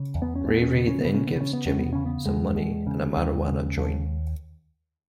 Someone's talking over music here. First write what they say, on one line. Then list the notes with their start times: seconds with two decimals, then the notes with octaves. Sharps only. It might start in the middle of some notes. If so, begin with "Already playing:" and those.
Ray Ray then gives Jimmy some money and a marijuana joint.
Already playing: C#3
0.15 E2
0.22 B3
0.36 C#4
0.45 E2 B3
0.62 C#4
0.75 C#3 B3
0.87 C#4
1.01 C#3 B3
1.14 C#4
1.27 B3
1.36 C#3 C#4
1.53 B3
1.66 E2 C#4
1.79 B3
1.93 C#3 C#4
2.06 B3
2.26 E2 G#3
2.56 E2
2.87 C#3
3.17 D#2
3.48 C#3
3.77 D#2